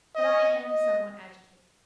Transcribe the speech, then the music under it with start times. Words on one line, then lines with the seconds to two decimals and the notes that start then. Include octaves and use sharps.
But I am somewhat agitated.
0.16 D#5
0.63 D#5